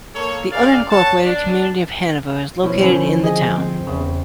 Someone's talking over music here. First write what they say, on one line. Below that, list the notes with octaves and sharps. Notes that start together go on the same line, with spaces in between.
The unincorporated community of Hanover is located in the town.
A#3 A4 C#5
C#3 D5 F5
A4 C#5 F#5 A5
D4
B2 F3 B3 E4 C#5
D3 D#3 F3 C#4 E4
G#4 D#5
C4
E2 C#3